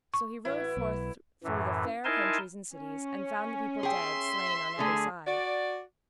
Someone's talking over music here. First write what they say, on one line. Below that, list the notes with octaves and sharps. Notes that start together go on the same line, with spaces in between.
So he rode forth through the fair countries and cities, and found the people dead, slain on every side.
C#6
A1 E4 F#4 B4
B1
F#2 A2 E3
D#4 E4 A#4 G#5 A5 C6
C#4
G#4 E5 G5 C6
D3 A3 G#4
F#4 D5